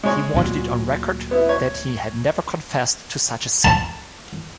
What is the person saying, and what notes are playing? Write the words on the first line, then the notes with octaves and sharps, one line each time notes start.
He wanted it on record that he had never confessed to such a sin.
G#3 C#5
D2 A#2 F#3
B3 E4
C#5
A5